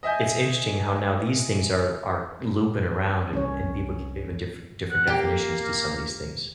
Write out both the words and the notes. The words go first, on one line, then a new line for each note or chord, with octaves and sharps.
it's interesting how now these things are are looping around, and and people giving different different definitions to some of these things.
D#5 E5 G#5 G6
C2 C#4 C#5
F#5
A#3 G4